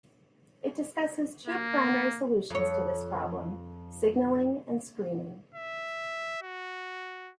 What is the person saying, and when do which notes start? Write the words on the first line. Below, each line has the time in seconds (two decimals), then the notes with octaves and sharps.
It discusses two primary solutions to this problem, signaling and screening.
1.48 A#3
2.50 F2 C#5
5.54 E5
6.43 F#4